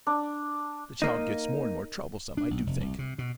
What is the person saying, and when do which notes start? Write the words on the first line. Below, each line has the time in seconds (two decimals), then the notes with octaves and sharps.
The child gets more and more troublesome, I do think.
0.07 D4
1.02 A#3 D#4
2.37 D4
2.51 B1
2.66 F1
2.80 C2
2.99 C3
3.18 B2